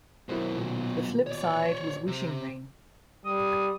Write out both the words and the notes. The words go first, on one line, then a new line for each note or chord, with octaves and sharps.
The flip side was Wishing Ring.
F#2 B2 E4 A#4 C5
D#1 B1
C#5 D5
C3
G3 D#6